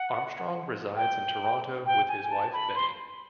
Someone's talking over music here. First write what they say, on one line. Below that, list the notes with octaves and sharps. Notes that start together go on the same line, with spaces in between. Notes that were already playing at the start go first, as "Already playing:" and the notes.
Armstrong resides in Toronto with his wife Betty.
Already playing: F#5
G5
G5
G#5
A5
B5
C6